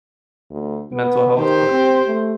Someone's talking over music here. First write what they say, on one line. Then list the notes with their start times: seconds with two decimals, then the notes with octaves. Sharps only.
mental health, but
0.51 D2
0.93 B3
1.38 D#3 G4 C5
1.71 C4
2.07 A3